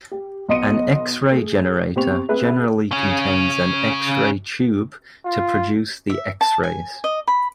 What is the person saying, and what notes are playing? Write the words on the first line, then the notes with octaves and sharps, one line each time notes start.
An X-ray generator generally contains an X-ray tube to produce the X-rays.
G4
B1 B3 D#5 C6 C#7 D#7
A3 G#4
C3 B3 G4 C5 C#6 F7
C4 G#4 B4 E5
C#3 C#4
F4
E5
A5
G#5
D#5
B5